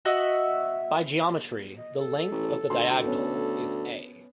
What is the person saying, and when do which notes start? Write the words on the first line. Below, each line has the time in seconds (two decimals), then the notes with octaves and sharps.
By geometry, the length of the diagonal is "a".
0.05 F#4 D#5 E5 F#5
1.78 D#5
2.00 A4
2.31 A1
2.70 D2 C6
3.04 B3 C#4